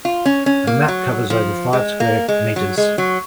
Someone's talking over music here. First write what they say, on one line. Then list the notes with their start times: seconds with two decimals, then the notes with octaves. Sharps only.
The map covers over five square meters.
0.05 F4
0.25 C#4
0.46 C#4
0.67 A#3
0.88 F#3
1.30 F3
1.73 G#3
2.00 A#3
2.28 G#3
2.56 F#3
2.78 G#3
2.98 F#3